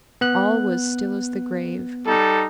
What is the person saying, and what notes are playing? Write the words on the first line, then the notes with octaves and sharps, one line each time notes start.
All was still as the grave.
B3 F#6
G3 D#4 A4